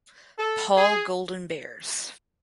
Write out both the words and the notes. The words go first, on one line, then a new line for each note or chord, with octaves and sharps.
Paul Golden Bears.
A4
G#4